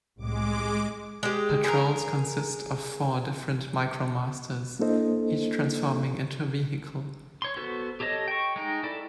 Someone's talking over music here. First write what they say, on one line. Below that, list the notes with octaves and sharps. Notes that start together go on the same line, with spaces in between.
Patrols consist of four different Micromasters, each transforming into a vehicle.
C2 A2 G#3 D6
G#3 G4
G#4 A#4
A#3 D4 E4 A4 C5 D#5
C#5 C6
B3 F#4 A4 C5
G4 A4 C#5 D#5 A5
G5 C#6
G#3 D#4 G5
E4 A4 D5